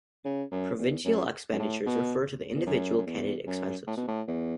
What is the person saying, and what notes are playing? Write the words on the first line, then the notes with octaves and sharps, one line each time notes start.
Provincial expenditures refer to individual candidate expenses.
C#3
F#2
E2
F#2
F#2
A2
B2
E2
F#2
F#2
E2
F#2
A2
B2
A2
E2